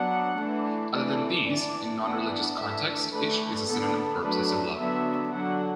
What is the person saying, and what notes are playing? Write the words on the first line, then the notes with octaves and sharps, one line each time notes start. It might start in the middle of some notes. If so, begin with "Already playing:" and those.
Other than these, in non-religious context, "'ishq" is a synonym for obsessive love.
Already playing: F#3 B3 D4 F#5
E3 A3 D4
E3 A3 D4 D5
E3 D4 D5
E3 B3 D4 F#5
E3 A3 D4 E5
E3 A3 D4 B4
D3 B3 D4 A4
F#3 A3 D4 B4
D3 F#3 B3 D4 E5
D3 F#3 D4 F#5